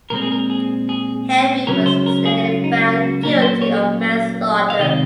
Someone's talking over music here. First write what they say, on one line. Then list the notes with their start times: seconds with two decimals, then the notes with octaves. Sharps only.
Henry was instead found guilty of manslaughter.
0.10 A#2 G#3 C4 A#4
0.22 G#4
0.32 A#4
0.50 G#4
0.89 G#4
1.67 C#2 C#3 F#3 C#4 A#4
1.86 C5
2.06 A#4
2.25 G#4
2.37 F#4
2.45 F4
2.64 D#4
2.84 F4
3.04 F#4
3.23 A#2 F#3 A#3 C#4 A#4
3.42 C5
3.62 C#5
4.70 F5
4.79 C3 D#3 G#3 C4 D#5